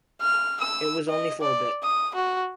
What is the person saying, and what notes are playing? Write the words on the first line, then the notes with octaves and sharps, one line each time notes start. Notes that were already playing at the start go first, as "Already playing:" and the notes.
It was only for a bit.
F6
E6
D#5
D5
D#6
F#4